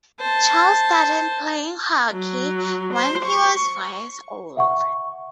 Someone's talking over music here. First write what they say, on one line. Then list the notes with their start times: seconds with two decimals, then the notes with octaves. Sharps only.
Child started playing hockey when he was four years old.
0.20 C5 A5
2.12 F#3
2.94 C5
3.25 C#6
4.57 E5 F#5 C#6